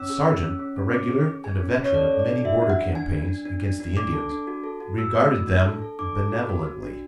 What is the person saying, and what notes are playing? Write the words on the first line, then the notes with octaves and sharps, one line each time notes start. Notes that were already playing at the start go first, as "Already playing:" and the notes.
The sergeant, a regular and a veteran of many border campaigns against the Indians, regarded them benevolently.
Already playing: C#4 E6
G#4
G#4
C#4
C#4
C#4
C#4 D6
G#4
G#4
G#4 G#5
C#4
C#4
C#5
A4 D5
A4
D5
D4
F#4 E5
D4
F#5
D4
D4 G#5
D4
D4
D4
D4
D4
D4 D6
A4
D4
F#4
A4
F#4
F#4 E6
A3
F#4
D4
A4
A4
D4 D6
A4
F#4
F#4
F#4
D4